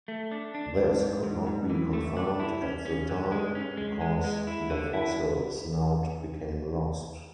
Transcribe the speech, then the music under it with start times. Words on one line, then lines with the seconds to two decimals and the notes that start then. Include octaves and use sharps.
This could not be confirmed at the time because the fossil snout became lost.
0.08 A3
0.32 D4
0.55 D4
0.78 G#2
1.00 G#2
1.24 G#2
1.47 G#2
1.70 E3
1.93 A3
2.17 D4
2.40 E4
2.62 C#4
2.85 C#4
3.09 D3
3.32 G#3
3.55 C#4
3.77 G#3
4.01 G#3
4.24 G#3
4.47 E4
4.70 D3
4.93 E4